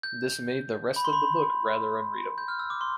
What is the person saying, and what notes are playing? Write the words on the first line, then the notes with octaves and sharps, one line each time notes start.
This made the rest of the book rather unreadable.
G6
B5
C6
B5
G6
F6
E6
D6
C6